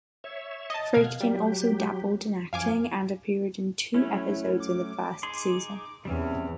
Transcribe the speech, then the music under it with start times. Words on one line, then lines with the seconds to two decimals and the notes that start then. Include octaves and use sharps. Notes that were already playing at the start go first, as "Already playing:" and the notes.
Friedkin also dabbled in acting and appeared in two episodes in the first season.
0.24 C#5 E5
0.70 D#5 A5
0.94 B2 F5 F#5 G#6
1.21 F#3 G3 G4
2.53 F#2 F3 F5 G#5 D6
3.94 F#3 A3 C#4 E4
4.60 D6
5.23 D#4 G#4 C6
6.05 E2 E3 G3 C4 C#4